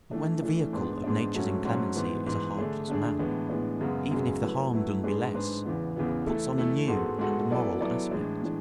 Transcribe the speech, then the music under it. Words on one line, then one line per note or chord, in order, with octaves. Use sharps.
But when the vehicle of nature's inclemency is a heartless man, even if the harm done be less, it puts on a new and a moral aspect.
E3 A3 D4
E3 A3 D4
G#2 G#3 B3 D4
G#2 G#3 B3 D4
G#2 F#3 A3 C#4 F#4
G#2 F#3 A3 C#4 F#4
G#2 E3 B3
G#2 E3 B3
D3 A3 D4 G#4
D3 A3 D4 G#4
A2 E3 G#3 B3 D4
A2 E3 G#3 B3 D4
F#2 C#3 G#3 B3 F#4
F#2 C#3 G#3 B3 F#4
F#3 A3 E4 B4
F#3 A3 E4 B4
G#2 G#3 D4 G#4 B4
G#2 G#3 D4 G#4 B4
E2 C#3 E3 B3
E2 C#3 E3 B3
E3 A3 E4 A4
E3 A3 E4 A4
G#2 G#3 B3 F#4 A4
G#2 G#3 B3 F#4 A4
F#3 B3 E4 A4 D5
F#3 B3 E4 A4 D5
A2 E3 G#3 D4
A2 E3 G#3 D4